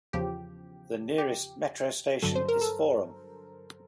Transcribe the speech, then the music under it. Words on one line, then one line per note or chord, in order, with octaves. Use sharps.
The nearest metro station is Forum.
E2 C#3 F3 G4
G4
G2 D3 F#3 A4
C5
A#4
A4